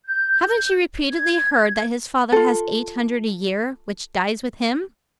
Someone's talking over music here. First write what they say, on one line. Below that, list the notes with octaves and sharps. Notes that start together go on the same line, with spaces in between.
'Haven't you repeatedly heard that his father has eight hundred a year, which dies with him?
G6
G#6
F4 A4